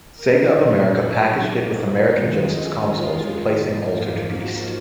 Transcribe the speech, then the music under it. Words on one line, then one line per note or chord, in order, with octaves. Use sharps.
Sega of America packaged it with American Genesis consoles, replacing "Altered Beast".
A#4
A#2 F#3 A#3 G#4
F#4
D#4
F#4
F#2 D#3 G#3 F4
D#4
F4
G#2 F3 A#3
F#4